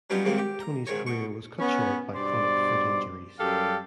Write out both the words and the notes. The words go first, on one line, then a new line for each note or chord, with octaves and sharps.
Tony's career was cut short by chronic foot injuries.
F#3 G3 B3 C#4 D#4 F4
D#2 G#2 C3 A#3 C4
G4
A#5
G#2 D#3 C#5
B2 C#6
B3 C#4
G2 B2 C5 D5
F#2 G3 G4 A4 F5 G5